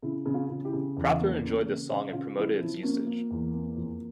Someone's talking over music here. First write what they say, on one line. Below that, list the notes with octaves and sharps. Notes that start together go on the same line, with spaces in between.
Prather enjoyed the song and promoted its usage.
C#3 E4
C#3
C#4 F4
C#3
E4 G4
C#3
E2
A#3
C#3
C#3
C#3 C5 E5
C#3 C#4 F4
F3 E4
F3 E4
A#3 C#4
A#3
E2
A#3
F2